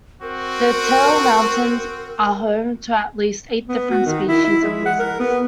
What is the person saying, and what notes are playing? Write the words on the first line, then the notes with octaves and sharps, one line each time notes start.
The Terril Mountains are home to at least eight different species of lizards.
C4 F#4 A#4
B3
F#4
D#3
E4
E4
G#3
F#5
A#4
B3